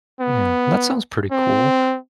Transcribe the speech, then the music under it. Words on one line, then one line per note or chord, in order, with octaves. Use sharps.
Yeah. Well, that sounds pretty cool.
B3
C4